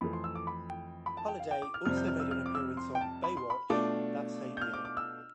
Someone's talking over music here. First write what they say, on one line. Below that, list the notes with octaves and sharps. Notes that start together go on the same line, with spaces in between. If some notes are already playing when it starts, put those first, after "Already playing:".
Holliday also made an appearance on "Baywatch" that same year.
F2 E3 A3 B5
C6
E6
D6
B5
G5
B5
A5
G5
F5
G5
D6
F6
F2 C3 G3 C4 F6
G6
F6
E6
F6
D6
E6
C6
G5
A5
B5
C6
B5
B2 A3 D4 F4 D6
G6
F6
D6
D6
E6